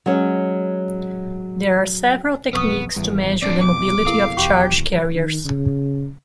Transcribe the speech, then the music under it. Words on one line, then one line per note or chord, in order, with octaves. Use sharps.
There are several techniques to measure the mobility of charge carriers.
F#3 G#3 C#4
B1 F2 B3 B4 C#6 D#6
G#1 E2 G3
A1 C4 D4 D5
C2 F2 B2 D6
E4 G#4 A#4 F5
E1 E2 F#4 G4 C#6
D#3
C#3